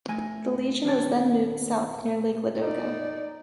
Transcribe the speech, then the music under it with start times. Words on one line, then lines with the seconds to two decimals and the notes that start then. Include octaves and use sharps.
The Legion was then moved south near Lake Ladoga.
0.08 A3 G#5
0.84 D#2 D4 C#5 A5
2.62 D#4 D5